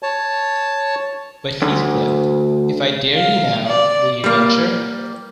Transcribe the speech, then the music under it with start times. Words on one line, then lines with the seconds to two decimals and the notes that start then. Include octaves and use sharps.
But, Heathcliff, if I dare you now, will you venture?
0.03 C#5 A5
1.62 D2
3.14 F5
3.66 D5
4.24 G3 A#3